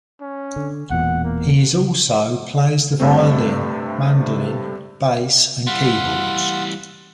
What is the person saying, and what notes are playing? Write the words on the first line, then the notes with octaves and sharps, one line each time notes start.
He is also plays the violin, mandolin, bass and keyboards.
C#4
D3
E1 E2 A#2 F#5
A#3
G2 C3 A3 C4
E3 G3 F5 F#5 C6